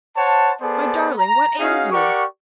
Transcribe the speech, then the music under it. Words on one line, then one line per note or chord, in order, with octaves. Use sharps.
"My darling, what ails you?"
C5 C#5 F#5 A5
B3 G#4 A4 C5 D5 A5
A#5
C#4 D#4 F#4 G#4 F5
G4 A#4 D5 F#5 C#6